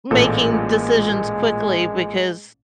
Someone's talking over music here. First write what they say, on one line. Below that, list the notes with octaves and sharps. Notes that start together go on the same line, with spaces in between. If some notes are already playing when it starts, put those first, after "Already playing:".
making decisions quickly because,
A1 A#2 G#3 A4